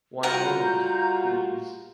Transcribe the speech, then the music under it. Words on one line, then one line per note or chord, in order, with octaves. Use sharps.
One moment please.
G3 F4 F#4 A#4 D#5 F#5 A#5 G6